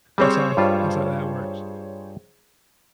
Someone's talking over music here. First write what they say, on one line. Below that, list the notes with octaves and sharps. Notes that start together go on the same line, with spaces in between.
That's how that's how that works.
G3 C4 G#4 C5 C#5
G2 G3 F4